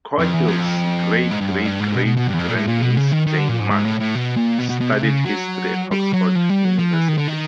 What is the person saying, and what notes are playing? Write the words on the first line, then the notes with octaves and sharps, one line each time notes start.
Coghill's great-great-great grand-niece, Jane Mann studied History at Oxford University.
F2
E2
F2
G#2
G2
F#2
G2
G#2
B2
B2
B2
G2
E2
F2
A#2
A2
A#2
B2
C#3
D#3
D#3
D3
A#2
G#2
G#2
A2
A2
B2
A#2
B2
B2
B2
C3
C#3
F#3
G3
F#3
F3
G3
F#3
F3
E3
D#3
D3
D#3